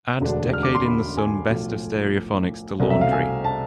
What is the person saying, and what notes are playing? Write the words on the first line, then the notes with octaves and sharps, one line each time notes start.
Add decade in the sun best of stereophonics to laundry.
E1 D2 D3 G#3 D4
F6
D6
C6
B5
G#5
B1 A2 F3
C2 B2 A3 C4
E5
F5
G#5
A5